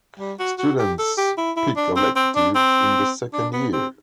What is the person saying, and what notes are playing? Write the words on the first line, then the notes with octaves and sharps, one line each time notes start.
Students pick electives in the second year.
G3
F#4
F#4
G4
A4
G4
E4
E4
D4
C4
C4
D4
C4
D4
B3
C4